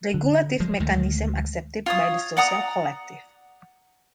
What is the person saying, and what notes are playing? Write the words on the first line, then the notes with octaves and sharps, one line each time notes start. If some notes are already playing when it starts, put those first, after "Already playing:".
Regulative mechanisms accepted by the social collective.
D3
F3 F#3 G#3
D2 D#3 G#3 A3
F4 C#5 D#6
D5 F#5 A#5 D#6